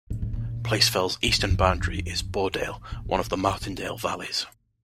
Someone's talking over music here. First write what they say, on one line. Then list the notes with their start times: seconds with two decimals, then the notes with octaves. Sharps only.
Place Fell's eastern boundary is Boredale, one of the Martindale valleys.
0.10 A2
0.22 A2
0.33 A#2
1.28 A#2
1.39 G2
1.50 F2
1.62 F2
1.72 G2
1.83 F2
2.21 G2
2.61 G2
2.67 A2
2.92 A#2
3.06 A2
3.15 G2
3.26 G2
3.38 G2
3.50 A2
3.62 A#2